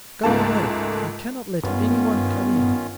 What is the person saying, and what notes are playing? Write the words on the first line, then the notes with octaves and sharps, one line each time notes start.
"Go away; I cannot let any one come in."
C#2 G#2 A3 A#3 A5
G2 D#3 B3 C#4 F4